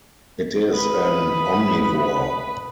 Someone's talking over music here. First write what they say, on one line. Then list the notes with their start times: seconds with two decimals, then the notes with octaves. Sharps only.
It is an omnivore.
0.73 B4 B5 D#6